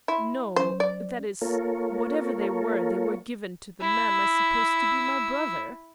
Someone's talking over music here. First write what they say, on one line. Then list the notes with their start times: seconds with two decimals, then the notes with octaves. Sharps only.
"No,--that is,--whatever they were, they were given to the man I supposed to be my brother."
0.08 E4 C6
0.56 F#3 C#4 C5
0.80 D5
1.42 A#3 F4 A4 A#4 C#5
3.80 E4 E6